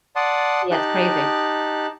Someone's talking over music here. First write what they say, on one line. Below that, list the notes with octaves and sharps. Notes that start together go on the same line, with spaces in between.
Yeah, it's crazy.
D5 F#5 A5 C6 D#6
D#4 G4 A5 F#6